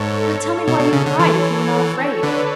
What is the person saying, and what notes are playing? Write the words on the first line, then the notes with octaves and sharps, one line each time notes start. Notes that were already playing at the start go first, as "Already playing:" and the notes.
"But tell me why you cried, if you were not afraid."
Already playing: G#2 A4 C#5
B2 A4 C#5
B2
C#3
D3
E3 A4 C#5
D3 B4 D5